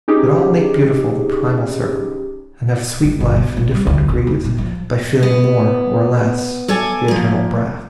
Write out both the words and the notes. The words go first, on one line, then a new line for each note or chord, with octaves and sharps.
But all make beautiful the primal circle, And have sweet life in different degrees, By feeling more or less the eternal breath.
C#4 D#4 G4 G#4
D#3
G1
B2
A#1
G3
D2
B2
D#2
A#2
F3
B3
A4 C#5 D5 G#5
F3 A#3